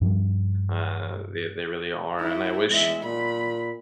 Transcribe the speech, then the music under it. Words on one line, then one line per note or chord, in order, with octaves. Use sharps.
uh, they they really are, and I wish
G2 F3 G3
E4
E2 G#3 E5
A#2 B5